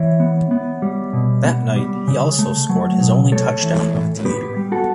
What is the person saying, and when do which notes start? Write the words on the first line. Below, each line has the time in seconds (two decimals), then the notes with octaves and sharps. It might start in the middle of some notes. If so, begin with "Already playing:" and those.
That night he also scored his only touchdown of the year.
Already playing: E3 C#5 E5
0.20 B3
0.51 B3
0.82 G3
1.13 B2
1.44 B3
1.76 G3
2.08 C#3
2.39 A3
2.69 F#3
3.01 B2
3.32 A3 A4 C#5
3.63 E3
3.94 A2
4.25 B3 G4 B4
4.56 G3
4.72 F#4 A4